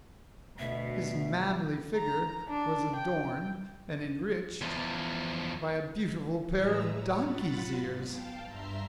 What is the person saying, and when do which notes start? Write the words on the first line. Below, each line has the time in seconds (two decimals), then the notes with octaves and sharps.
His manly figure was adorned and enriched by a beautiful pair of donkey's ears.
0.59 D2 B2 E5
1.95 A#5
2.49 D4
2.96 G5
4.61 E2 F3
6.48 A2 E3 G#3 B4 A#5 E6
6.89 C#5
7.23 F#3 F4 F#5 B5 A6
7.74 G#2 B3
8.06 F5 G5 A5
8.43 G2 E5 A#5 C6 C7